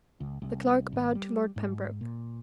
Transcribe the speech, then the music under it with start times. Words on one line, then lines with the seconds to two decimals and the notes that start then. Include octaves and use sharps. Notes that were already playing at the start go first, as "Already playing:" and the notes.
The Clerk bowed to Lord Pembroke.
0.20 C#2
0.42 C2
0.93 G#1
1.15 G3
1.56 G#2
2.01 A#2